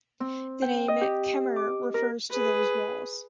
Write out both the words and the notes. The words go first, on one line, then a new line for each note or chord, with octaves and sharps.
The name "Kemer" refers to those walls.
C4
G5
D#5
G4
D6
A#4
G#4 B4